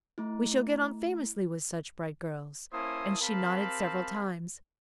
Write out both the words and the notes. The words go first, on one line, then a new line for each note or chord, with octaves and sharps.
"We shall get on famously with such bright girls," and she nodded several times.
A3 E4
A#3 C#4 E4 C5 A5 D#6
C4 G4 A#4 F5 A5 B5